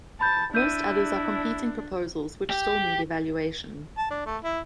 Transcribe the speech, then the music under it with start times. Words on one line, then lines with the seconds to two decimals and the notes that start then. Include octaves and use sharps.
Most others are competing proposals which still need evaluation.
0.21 A5 B5 G6
0.55 D4 E4 G6 D#7
2.50 G4
3.98 A5
4.11 D4
4.26 A3
4.44 E4